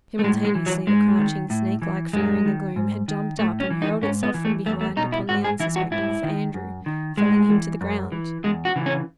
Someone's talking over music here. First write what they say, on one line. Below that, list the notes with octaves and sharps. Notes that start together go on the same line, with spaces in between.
Simultaneously the crouching, snake-like figure in the gloom had jumped up and hurled itself from behind upon the unsuspecting Sir Andrew, felling him to the ground.
A3
A2 G#3
G#3
E3
F#3
G#2 G#3
D#3
A2
E3
F#2 G#3
D#3
G#2
D#3
A2 A3
C#4
E3
D#4
G#2 C#4
B3
E3
A3
E2 A3
A3
B2 D#4
E4
G#2 F#4
G#4
E3 E4
F#4
G#2 E4
D#3
F#2
D#3
A2 G#3
E3
F#2
E3
E2 G#3
F#4
C#3 E3
C#4